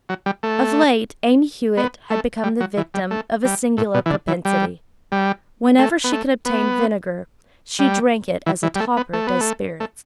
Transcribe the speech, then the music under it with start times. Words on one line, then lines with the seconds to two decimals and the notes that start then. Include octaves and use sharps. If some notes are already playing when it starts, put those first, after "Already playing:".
Of late Amy Hewett had become the victim of a singular propensity; whenever she could obtain vinegar, she drank it as a toper does spirits.
0.09 F#3
0.26 G3
0.43 A3
1.77 B3
2.10 A3
2.44 G3
2.60 F#3
2.77 E3
2.94 G3
3.11 A3
3.45 G3
3.77 A2
3.94 B2
4.06 E3
4.10 D3
4.28 E3
4.45 G3
5.12 G3
5.79 A3
6.04 B3
6.12 A3
6.46 B3
7.79 G3
8.46 E3
8.63 E3
8.75 G3
8.80 A3
8.97 B3
9.13 A3
9.27 B3
9.41 A3
9.80 A3